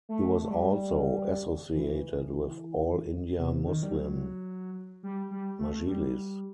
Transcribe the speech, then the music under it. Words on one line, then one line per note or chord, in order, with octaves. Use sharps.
He was also associated with All India Muslim Majlis.
A3
A3
G3
E3
C3
D#3
G3
F#3
G3
G3
A3
G3